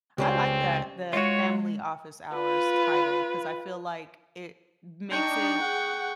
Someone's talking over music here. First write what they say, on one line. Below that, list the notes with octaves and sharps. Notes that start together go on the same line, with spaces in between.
I like that, the family office hours title, 'cause I feel like it m makes it
C#2 G3 C4 C#4 C5
G#3 F4 F#4 C#5
F4 B4
D4 D#4 G5 C#6
G#4 F#5